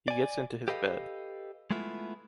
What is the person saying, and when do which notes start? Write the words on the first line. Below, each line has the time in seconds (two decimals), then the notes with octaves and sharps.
He gets into his bed.
0.08 D5 G#5
0.68 G4 A4 B4 D#5 F5
1.71 G#3 A3 B3 E4 F4